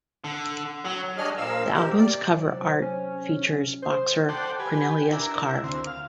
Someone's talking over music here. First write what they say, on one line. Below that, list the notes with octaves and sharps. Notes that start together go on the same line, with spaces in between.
The album's cover art features boxer Cornelius Carr.
D3
F#3
G3 D4 G#4 C#5 D#5 F6
A#2 F3 A#4 F5 E6
C3 D#3 G4 A#4
D5
C3 F#3
C#4
G#4 C5
A4 C5 D5 F#5 G5
G4 B4 G#5
D4 E4 A#4
E4
D2 C4
F5